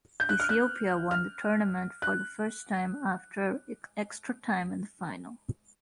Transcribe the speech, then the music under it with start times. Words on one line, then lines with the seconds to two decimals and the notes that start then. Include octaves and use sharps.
Ethiopia won the tournament for the first time after extra time in the final.
0.20 G6
0.29 F#6
0.40 F6
0.49 F#6
1.11 F6
2.02 F#6